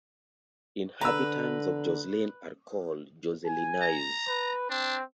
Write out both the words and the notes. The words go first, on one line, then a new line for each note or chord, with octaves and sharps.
Inhabitants of Josselin are called "Josselinais".
D3 B4 A#5 E6
G#5
A#5
B4
C4 D4